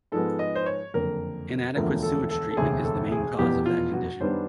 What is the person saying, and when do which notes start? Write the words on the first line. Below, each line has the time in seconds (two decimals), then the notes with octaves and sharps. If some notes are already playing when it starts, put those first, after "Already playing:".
Inadequate sewage treatment is the main cause of that condition.
0.12 G#2 F3 G#3 B3 A4
0.39 D#5
0.55 C5
0.66 C#5
0.94 F#1 F2 D3 A#4
1.75 E1 D2 D3 F3 A3 A#4
2.03 A4
2.30 A4
2.51 A4
2.57 E1 D2 C3 G#4
2.84 A4
3.12 G#4
3.38 F1 E2 B2 G4
3.66 F4
3.93 F#4
4.21 F#2 D#3 G3 B3 D4 C5